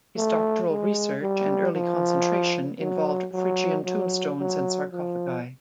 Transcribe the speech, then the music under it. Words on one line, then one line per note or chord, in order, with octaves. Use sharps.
His doctoral research and early concentration involved Phrygian tombstones and sarcophagi.
A3
G#3
G3
F3
F#3
F#3
F#3
F#3
F3